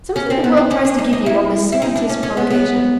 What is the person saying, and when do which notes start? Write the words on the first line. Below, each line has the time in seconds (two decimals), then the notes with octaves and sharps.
Something the world tries to give you on the slightest provocation.
0.16 C#4
0.30 C4
0.44 B3
0.57 C4
0.71 C#4
0.85 D4
0.99 D#4
1.13 D#4
1.26 E4
1.72 E4
1.82 D#4
1.96 D4
2.09 C#4
2.23 C#4
2.37 B3
2.50 B3